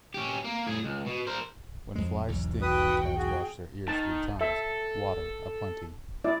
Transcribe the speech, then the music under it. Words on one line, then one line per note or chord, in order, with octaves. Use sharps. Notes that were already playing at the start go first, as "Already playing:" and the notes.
When flies sting and cats wash their ears three times, water aplenty.
C#4 G4
A#3
A2 G#4
C#2
B2
A#4 C5
F2 G#3
B1 E2 G#2
F#4 B4 G5 D#6
F#4 G#4 G5
D#3 A5
A4 E5
E4 D5